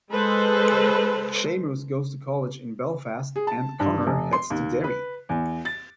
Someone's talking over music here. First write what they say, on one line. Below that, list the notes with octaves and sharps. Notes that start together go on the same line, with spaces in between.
Seamus goes to college in Belfast, and Conor heads to Derry.
G#3 A4 B4 C5
G#4
A5
G2
F1
C6
D#2
B4
E2
A6